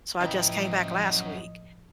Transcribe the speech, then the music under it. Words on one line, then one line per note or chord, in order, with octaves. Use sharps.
So I just came back last week,
F#2 A2 C#3 E3 F3 D#5 G5 A#5